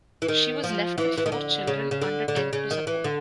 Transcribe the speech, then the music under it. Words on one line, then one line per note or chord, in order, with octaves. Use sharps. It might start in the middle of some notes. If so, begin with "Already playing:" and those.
She was left with four children under ten to support.
E3
D#3
F3
E3
E3
D#3
D3
C#3
C#3
D3
D3
C#3
C#3
D#3
E3
D3